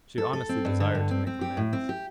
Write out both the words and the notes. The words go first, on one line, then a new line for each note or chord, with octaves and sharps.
She honestly desired to make amends.
A4
A4
C4
G2
D3
G2
C4
C4
G4
A2
C4
G4